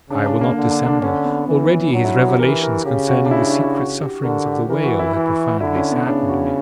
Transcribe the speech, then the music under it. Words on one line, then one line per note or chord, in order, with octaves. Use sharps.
I will not dissemble; already his revelations concerning the secret sufferings of the whale had profoundly saddened me.
C#3 D4
D4
A#3
D3
D4
D4
D3 C#4
B3
E3 B3
C#4
F#3 D4
E4
F#4
G4
E3 A#4
A#4
C#3 G4
F#4
D4
E4
D4
E4
F#4
G4
D3 A#4
G4
E3 A#4
F#4
E4
E3
D3 E4
C#4
B3
C#3 D4
F#4